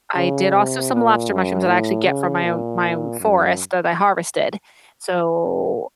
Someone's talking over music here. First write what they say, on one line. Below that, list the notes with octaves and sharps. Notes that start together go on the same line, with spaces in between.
I did also some lobster mushrooms that I actually get from my own my own forest that I harvested. So
C#3
C3
A#2
F#2
A2
C#3
A#2
F#2